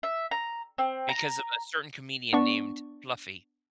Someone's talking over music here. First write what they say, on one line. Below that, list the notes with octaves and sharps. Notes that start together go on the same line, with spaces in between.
because of a certain comedian named Fluffy.
E5
A#5
C4
A#5
B3 D4 D5 C#6